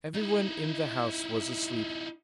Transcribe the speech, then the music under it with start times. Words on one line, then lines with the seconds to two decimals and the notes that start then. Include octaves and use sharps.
Everyone in the house was asleep.
0.16 D#4 E4